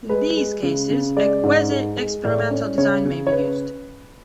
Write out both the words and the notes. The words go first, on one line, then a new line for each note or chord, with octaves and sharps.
In these cases, a quasi-experimental design may be used.
G#3 B4
G#3
C#3
C#3
G#3 D5
G#2
G#3
G#3
A2 D5
C#4
C#3 C#5
C#3
C#5
B4